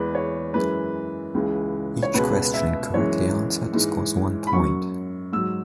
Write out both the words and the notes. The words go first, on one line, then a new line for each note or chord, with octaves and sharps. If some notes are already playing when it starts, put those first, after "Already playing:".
Each question correctly answered scores one point.
Already playing: E2 E3 G#3 B4
C#5
F#2 E3 G#3 B4
C#2 C#3 E3 G#3
C#5
C#2 B2 G#3 B4
E5
F#2 E3 G#3 C#5
G#2 E3 G#3
B5
F#2 F#3 C#6
G#2 F#3 E6